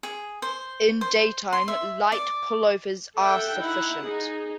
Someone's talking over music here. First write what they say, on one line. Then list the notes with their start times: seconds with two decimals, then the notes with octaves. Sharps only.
In daytime, light pullovers are sufficient.
0.03 G#4
0.42 C5
1.01 C5
1.53 C6
1.68 E5
2.12 D5
3.17 A4 E5 F#5 G5
3.57 D#4 E4 F#5
4.02 D#4 G#4